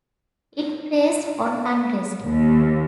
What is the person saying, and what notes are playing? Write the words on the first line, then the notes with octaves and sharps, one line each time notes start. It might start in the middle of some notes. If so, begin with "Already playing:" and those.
It preys on unrest.
D#2